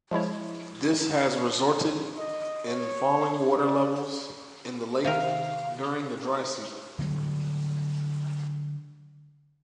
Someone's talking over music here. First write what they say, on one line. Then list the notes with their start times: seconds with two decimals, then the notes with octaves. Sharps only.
This has resulted in falling water levels in the lake during the dry season.
0.11 F3 G#3 E4 C#5
2.18 D#5
2.68 C#5
3.56 D5
5.04 C3 D#3 A#4 F5
6.99 D3 F#3 G3 A3